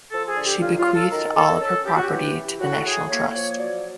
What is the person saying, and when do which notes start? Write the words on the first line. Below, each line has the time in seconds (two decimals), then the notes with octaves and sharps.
She bequeathed all of her property to the National Trust.
0.11 F3 A4
0.27 G#4
0.36 D3
0.44 G4
0.61 F#3 F4
0.78 F4
0.86 F#3
0.94 A4
1.10 D#3 A#4
1.35 D#3 A4
1.60 C#4 A4
1.85 C#4 G4
1.94 F#4
2.03 G4
2.10 E3
2.35 E3
2.60 A2 F#4
2.85 A2 G#4
3.09 A#3 C#5
3.34 F3 C#5
3.58 F#3 D5